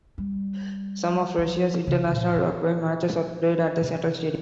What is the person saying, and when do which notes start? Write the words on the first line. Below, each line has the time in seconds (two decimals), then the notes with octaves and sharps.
Some of Russia's international rugby matches are played at the Central Stadium.
0.18 G3
1.38 F3
1.87 C#3
2.11 A#2
2.35 A#2
3.82 C3